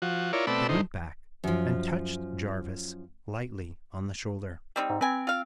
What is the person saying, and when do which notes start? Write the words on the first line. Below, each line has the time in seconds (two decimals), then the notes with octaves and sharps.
He went back and touched Jarvis lightly on the shoulder.
0.02 F3 F#4
0.33 E4 F4 A#4 C#5 D5
0.47 B2 A3 C4 D5 B5 E6
0.69 D2 A2 D#4 C5
1.44 F#2 F3
4.76 G3 C4 D#4
4.90 G#2
5.01 C4 B4 G#5
5.27 F4 F5